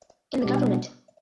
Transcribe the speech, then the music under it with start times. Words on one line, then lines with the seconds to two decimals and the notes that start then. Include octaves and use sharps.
In the Govt.
0.42 B2 G3 B3 D4 G4